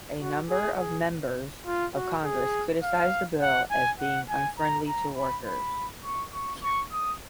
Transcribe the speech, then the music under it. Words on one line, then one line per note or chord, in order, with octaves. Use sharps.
A number of members of Congress criticized the bill as being unfriendly to workers.
F#4
G#4
G#4
F4
F#4
G#4
F5
F#5
G#5
F#5
G#5
A#5
A#5
B5
B5
C#6
C#6
C#6
D#6